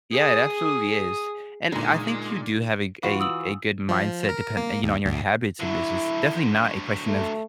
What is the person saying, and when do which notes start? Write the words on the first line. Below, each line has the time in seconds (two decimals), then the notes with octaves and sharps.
Yeah, it absolutely is, and I think you do have a g a a good mindset depend you know, on your habits this is definitely not a question of
0.12 G#4 D#6
1.72 A#2 D3 G#3 D#4
3.03 E3 F4 F#4
3.20 D#6 E6 F#7
3.89 F3
4.29 A#4
4.57 A#3
4.83 D#2
5.05 D2
5.60 D3 F#3 E4
7.06 A3